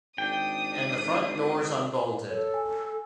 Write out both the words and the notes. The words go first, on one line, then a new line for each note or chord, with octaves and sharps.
And the front door's unbolted.
G#1 D4 G5 D#6
A4 C#5
G#5